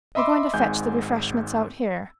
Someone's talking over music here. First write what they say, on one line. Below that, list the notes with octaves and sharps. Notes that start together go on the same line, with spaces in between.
"They're going to fetch the refreshments out here."
D#5 E5 B5 C6 D6 E6
G#1 G#2 G#5 G6